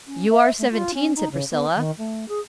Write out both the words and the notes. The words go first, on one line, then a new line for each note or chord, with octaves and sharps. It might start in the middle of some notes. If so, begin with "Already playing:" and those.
"You are seventeen," said Priscilla.
C#4
E5
A3
F4
C#4
D#4
C#3
B3
D#3
A3
G#4